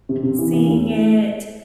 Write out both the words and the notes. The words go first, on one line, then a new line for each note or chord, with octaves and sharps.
seeing it,"
C3
C3
E3
E3
E2